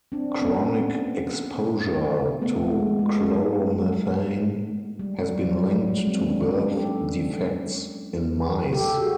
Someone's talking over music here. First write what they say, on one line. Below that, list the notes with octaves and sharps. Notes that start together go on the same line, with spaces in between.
Chronic exposure to chloromethane has been linked to birth defects in mice.
C4 D4
B3 C#4
A#3 C4
A3 B3
G#3 A#3
G#3
G3
F#3
F#3
G3
G3
G#3
G3
A#3 C4
C4 D4
C#4 D#4
G4 A4
G4 A4
G4
F#4 G#4